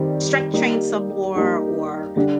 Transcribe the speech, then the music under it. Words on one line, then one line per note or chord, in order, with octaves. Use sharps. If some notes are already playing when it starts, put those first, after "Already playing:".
strength train some more," or,
Already playing: D#3 G3 C4 G4
G3 A#3 D#4 G4
G3 A#3 D#4 G4
D3 G3 D4 G4